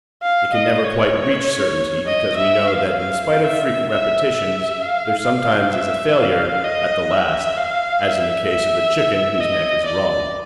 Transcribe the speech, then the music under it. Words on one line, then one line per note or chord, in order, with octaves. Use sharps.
It can never quite reach certainty, because we know that in spite of frequent repetitions there sometimes is a failure at the last, as in the case of the chicken whose neck is wrung.
F5
D#5
C#5
D#5
E5
F5
F5
E5
E5
E5
F5
E5
F5
D#5
E5
F5
E5
E5
D#5
D5